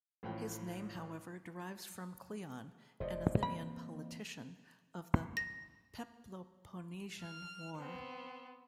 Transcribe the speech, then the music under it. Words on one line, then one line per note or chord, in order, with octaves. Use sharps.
His name however derives from Cleon, an Athenian politician of the Peloponnesian War.
A1 A2 F3 G5
F1 C3 C5 D5 D#5
E3 A#3 C4 B5
A#6
F6
B3 C4